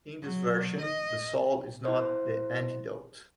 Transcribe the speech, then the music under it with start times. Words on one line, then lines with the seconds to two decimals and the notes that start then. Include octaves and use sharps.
In this version, the salt is not the antidote.
0.22 F#3
0.80 D#5
1.85 E4 C5